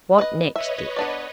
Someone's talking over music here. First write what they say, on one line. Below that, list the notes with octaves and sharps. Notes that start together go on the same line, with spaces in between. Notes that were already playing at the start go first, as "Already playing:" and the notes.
"What next, Dick?"
B4 D#5
B4 C#5 D#5 E5
B3 D4 D5